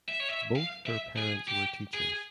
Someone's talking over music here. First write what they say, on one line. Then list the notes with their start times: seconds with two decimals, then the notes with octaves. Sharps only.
Both her parents were teachers.
0.09 E5
0.20 C#5
0.30 E5
0.55 F5
0.86 E5
1.17 G#4
1.48 G4
1.94 G#4